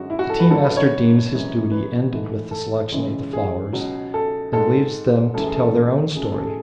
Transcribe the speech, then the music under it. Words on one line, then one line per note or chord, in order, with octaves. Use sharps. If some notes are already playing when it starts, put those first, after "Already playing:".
The tea-master deems his duty ended with the selection of the flowers, and leaves them to tell their own story.
Already playing: F#2 D3 G#3 F#4
E4
F#4
A4
B4
F#2 D3 F#3 A4
B4
C#5
F#2 E3 G#3
B4
G#2 E3 A3
A4
C#2 C#3 E3 G#3
G#4
C#2 B2 F#3
A4
G#2 G#3 A4
F#2 E3 A3 A4
G#4
A4
C#2 B2 A3 G#4
A4
G#4
A4
G#4